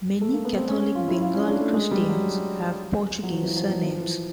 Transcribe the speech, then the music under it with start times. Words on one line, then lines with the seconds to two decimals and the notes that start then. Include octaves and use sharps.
Many Catholic Bengali Christians have Portuguese surnames.
0.21 A3
0.33 A#3
0.45 B3
0.57 C4
0.69 C#4
0.95 F4
1.08 E4
1.21 F4
1.35 C#4
1.48 D4
1.61 A3
1.74 G#3
1.91 G3
2.09 F#3
3.23 F#3
3.31 F3
3.44 E3
3.57 F3
3.70 F#3
3.83 F3
4.01 E3